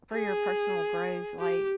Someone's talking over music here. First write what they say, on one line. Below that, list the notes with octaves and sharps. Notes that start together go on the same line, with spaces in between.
for your personal growth, like
G#4
G4